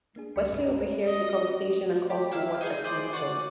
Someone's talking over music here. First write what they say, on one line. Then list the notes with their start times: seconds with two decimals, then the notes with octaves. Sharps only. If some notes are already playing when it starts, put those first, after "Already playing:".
Wesley overhears the conversation and calls the Watcher Council.
0.16 A#3 D4 G#4
0.36 D2 G3 G5 B5 C#7
0.48 C2 G2 C4 B4
0.60 A#5
1.06 D#5
2.10 G4
2.31 A#3 E4 F5
2.61 D#4 G#4
2.84 G#4 C5 D5
3.13 F#4 D5